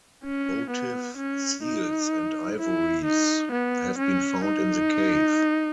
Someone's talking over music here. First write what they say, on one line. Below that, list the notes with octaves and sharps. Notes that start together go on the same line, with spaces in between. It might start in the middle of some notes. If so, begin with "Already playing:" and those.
Votive seals and ivories have been found in the cave.
C#4
B3
C#4
D#4
E4
D#4
B3
C#4
D#4